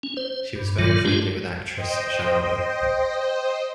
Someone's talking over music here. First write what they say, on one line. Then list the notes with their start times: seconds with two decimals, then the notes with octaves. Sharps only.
She was very friendly with actress Shyama.
0.03 C#4
0.17 C5
0.55 G2
0.79 G2 A#2 D#3 F#3 F4
1.05 G#3 D4 F4 G4
1.75 C5 D#5 G5